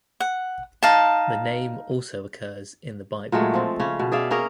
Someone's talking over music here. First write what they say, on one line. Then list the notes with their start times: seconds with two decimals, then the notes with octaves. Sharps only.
The name also occurs in the Bible.
0.20 F#5
0.83 D#4 F5 A5
3.32 A#2 F#3 G#3 A3
3.54 F3 C4
3.80 C#3 C#4
3.99 B2
4.12 G#4 D5 E5 F5
4.31 A#3 C#4 G#4 A#4